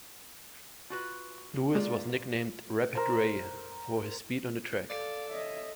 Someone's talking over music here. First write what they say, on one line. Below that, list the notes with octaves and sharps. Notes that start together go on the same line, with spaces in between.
Lewis was nicknamed "Rapid Ray" for his speed on the track.
F4 F#4 B4
G#3 A#3 F4 D5
A#4 C5
A4 D5 F5
C#5 D#5 E5